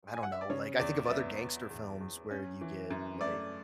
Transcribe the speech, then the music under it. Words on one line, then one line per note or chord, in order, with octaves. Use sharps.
I don't know. Like, I think of other gangster films where you get, like,
G#5
F#5
E5
D5
C#3 C#5
E2 D5
D5
B3 E5
B3
E2
E2
C#4
E3
F#2
A3 D5